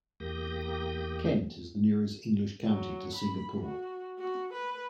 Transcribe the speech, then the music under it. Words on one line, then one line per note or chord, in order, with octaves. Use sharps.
Kent is the nearest English county to Singapore.
E2 A#3 G4 D#6 G6 A#6
F#3
B5
F#4
F#4
B4